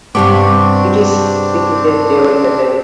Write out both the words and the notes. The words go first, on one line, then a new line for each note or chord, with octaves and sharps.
It is secretive during the day.
G2 C3 B3 C4 D4 G4 C#6 D6